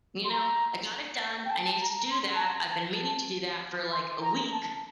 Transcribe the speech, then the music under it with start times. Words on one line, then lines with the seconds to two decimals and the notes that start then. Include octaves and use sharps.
you know, I got it done, I needed to do that, I've been meaning to do that for, like, a week,
0.24 C6
0.30 A#5
1.45 G5
1.51 A5
1.65 A5
1.81 A#5
1.96 A#5
2.11 C6
2.35 A5
2.41 A#5
2.71 A5
3.92 C6
4.22 A#5
4.52 A5